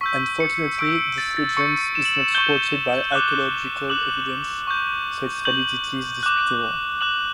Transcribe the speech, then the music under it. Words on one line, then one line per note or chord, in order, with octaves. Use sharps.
Unfortunately this legend is not supported by archaeological evidence so its validity is disputable.
C#6 E6 G6 B6
C#7
C#6 E6 G6 D7
C#7
A6
A6
C#6 G6 C#7
E7
F#7
E7
C#6 G6 G7
D6 F#6
D6 F#6 F#7
C#6 G6
C#6 G6 F#7
D6 F#6
D6 F#6 F#7